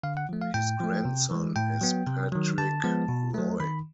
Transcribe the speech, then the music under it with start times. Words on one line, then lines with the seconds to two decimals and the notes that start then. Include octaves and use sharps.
His grandson is Patrick Roy.
0.03 D3 F5
0.17 F#5
0.29 F3 A3
0.41 F5
0.54 A2 G5
0.80 F3 A3
1.05 C3
1.31 E3 G#3
1.56 A2 G5
1.81 F#3 B3
2.06 C3
2.32 D#3 F#3
2.58 D3 A5
2.84 F3 G#3 B3
3.09 B2
3.34 F#3 A3
3.60 D#3 B5